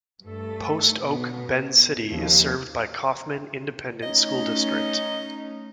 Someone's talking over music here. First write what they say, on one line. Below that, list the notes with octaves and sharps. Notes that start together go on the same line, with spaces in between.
Post Oak Bend City is served by Kaufman Independent School District.
G2 A3 A4
B2 B3
D#2 C#3 F3
A3 C#4 D#4 D#5